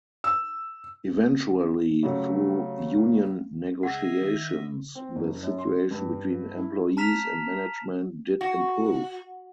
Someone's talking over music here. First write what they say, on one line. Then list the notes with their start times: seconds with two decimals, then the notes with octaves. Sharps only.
Eventually, through union negotiations, the situation between employees and management did improve.
0.24 E6
2.03 C#3 F#3 G3 A3 C#4
3.83 C#2 G#4 D#5 E5 F#5
4.21 D#3
4.95 C4
5.16 F#1
5.43 F#2
5.58 C6
5.91 G2
6.57 E4
6.97 A5 A#5 F6 B6 E7 F7
8.41 F#4